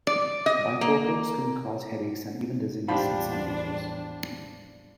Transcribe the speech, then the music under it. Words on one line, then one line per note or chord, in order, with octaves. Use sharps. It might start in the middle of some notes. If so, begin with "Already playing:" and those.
Bifocals can cause headaches and even dizziness in some users.
D5
D#5
A#3
A1 E2 F3 G3 D4 G4 B5